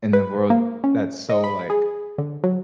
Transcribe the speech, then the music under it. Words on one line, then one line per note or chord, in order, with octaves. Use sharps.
In a world that's so, like
B4
A#3
C#4
D#5
B5
G#4
D3
F#3